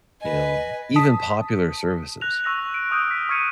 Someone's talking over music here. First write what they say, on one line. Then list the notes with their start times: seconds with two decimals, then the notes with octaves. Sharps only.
you know, even popular services.
0.21 B4 D#5 G#5
0.96 A5 D#6 B6
2.21 F#6 A#6 F7
2.44 C#6 E6 A#6 F7
2.74 D7
2.91 C#6 D#6 F6 G6 D7
3.11 B6
3.29 C#6 F6 G#6 C#7 D#7